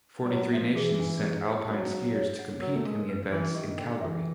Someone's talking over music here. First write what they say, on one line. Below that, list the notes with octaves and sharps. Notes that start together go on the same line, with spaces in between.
Forty-three nations sent alpine skiers to compete in the events in Calgary.
G3
F#3 B4
F3 E5
E3 G#4
G#5
G4
C5
F#3 D4
F5
C#5
F#5
F#3 A#4
A3
G#3 A#4
B4
E3 E5
D#3 G4
D3 G5
E3 E5